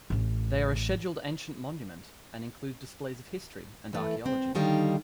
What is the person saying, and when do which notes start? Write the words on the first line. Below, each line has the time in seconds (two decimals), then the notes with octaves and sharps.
They are a scheduled ancient monument and include displays of history and archaeology.
0.10 A1 C#4
3.93 E3 A3
4.26 C4
4.55 D3 D#3 G3 D#4 F5 G5